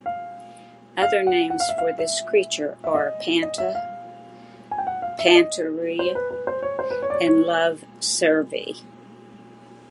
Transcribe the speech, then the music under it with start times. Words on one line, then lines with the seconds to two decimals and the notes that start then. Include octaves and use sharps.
Other names for this creature are pantera, pantere, and love cervere.
0.06 F5
1.02 F5
1.27 F#5
1.50 F#5
1.60 F5
1.69 E5
1.78 F5
1.99 E5
2.84 E5
2.95 D#5
3.42 D#5
3.58 E5
3.75 F5
4.71 G#5
4.78 G5
4.87 F#5
5.02 F5
5.19 E5
5.35 D#5
5.99 C5
6.15 B4
6.31 B4
6.47 C5
6.63 C#5
6.79 C5
6.91 B4
7.02 C#5
7.10 D5
7.15 C#5
7.27 C#5